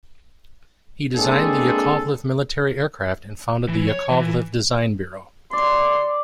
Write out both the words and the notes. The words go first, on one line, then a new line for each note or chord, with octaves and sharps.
He designed the Yakovlev military aircraft and founded the Yakovlev Design Bureau.
G#3 A#3 C4 D4 G#4 A4
E3
C#5
E3
D5 C6